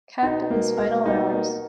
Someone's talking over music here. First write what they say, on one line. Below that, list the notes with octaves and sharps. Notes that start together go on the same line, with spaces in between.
Cap in his final hours.
B2 D#4
A#3
A#4
B2 D#4
A#3